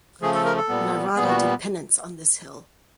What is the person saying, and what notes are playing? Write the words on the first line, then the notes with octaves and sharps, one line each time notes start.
Narada did penance on this hill.
C#3 F3 A3 G#4
A4
A#4
A4
A#2 G3 B3
A#2 G3 B3 G#4
F#4